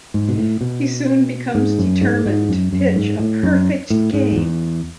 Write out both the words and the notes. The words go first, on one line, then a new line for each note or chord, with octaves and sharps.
He soon becomes determined to pitch a perfect game.
G#2
B2
A2
B2
G#2
F#2
G#2
G#2
F#2
F#2
G#2
A2
F#2
A2
G#2
F#2
E2